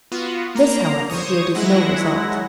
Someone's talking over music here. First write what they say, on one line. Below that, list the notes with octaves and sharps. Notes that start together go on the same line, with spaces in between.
This however yielded no result.
B3 F4 F#4
A#3 A#5
C5 C#5 C#6 D#6
F#3 G#3 E4 F#5 A#6